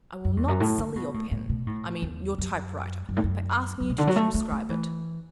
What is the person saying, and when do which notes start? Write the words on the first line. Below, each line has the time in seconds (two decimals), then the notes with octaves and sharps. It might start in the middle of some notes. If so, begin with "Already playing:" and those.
I will not sully your pen--I mean, your typewriter--by asking you to transcribe it.'
0.25 F#2
0.37 E2
0.48 F#2
0.60 A2
0.78 D3
0.96 B2
1.14 A2
1.31 A2
1.49 B2
1.67 A2
2.02 E2
2.38 F#2
3.09 F#2
3.17 A2
3.24 F#2
3.80 F#2
3.89 B2
3.98 D3
4.07 F#3
4.16 A3
4.34 A3
4.51 A3
4.69 E3